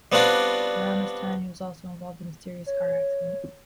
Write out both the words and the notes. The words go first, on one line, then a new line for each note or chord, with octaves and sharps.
Around this time he was also involved in a serious car accident.
G3 B3 C4 D4 F4 F#4
C#5